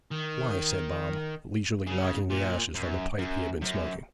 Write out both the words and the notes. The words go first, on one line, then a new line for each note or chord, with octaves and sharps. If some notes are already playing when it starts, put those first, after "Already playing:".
'Why?' said Bob, leisurely knocking the ashes from the pipe he had been smoking.
D#3
C#3
A#2
F#2
F#2
F#2